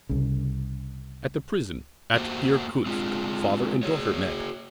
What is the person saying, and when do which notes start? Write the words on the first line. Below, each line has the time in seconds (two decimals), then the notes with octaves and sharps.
At the prison at Irkutsk father and daughter met.
0.09 C2 C#3
2.15 A#3 F#4 C5
2.86 G#3 C4 D4 F4 G#4
3.83 F#4 G#4 C#5